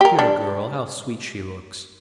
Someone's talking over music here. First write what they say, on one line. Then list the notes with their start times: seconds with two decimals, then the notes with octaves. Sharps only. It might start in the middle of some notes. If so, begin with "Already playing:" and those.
"Dear girl, how sweet she looks!"
0.01 G4 A#4
0.19 G3 D4